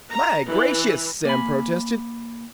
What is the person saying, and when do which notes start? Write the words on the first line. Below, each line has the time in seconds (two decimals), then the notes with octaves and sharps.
"My gracious!" Sam protested.
0.10 A#5
0.49 E3
1.25 A#3 G#5 B5